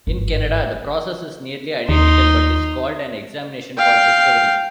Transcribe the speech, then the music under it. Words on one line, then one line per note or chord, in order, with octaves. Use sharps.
In Canada, the process is nearly identical but is called an examination for discovery.
G1 G#2
D#2 D#4 C6
F5 G5